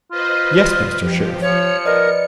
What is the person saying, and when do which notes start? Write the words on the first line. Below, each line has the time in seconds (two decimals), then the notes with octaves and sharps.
"Yes, Master Sheriff."
0.11 F4 B4 C5 D#5
0.98 F3 G4
1.41 F3 C#5 C#7
1.85 A#4 B4 D5 D#5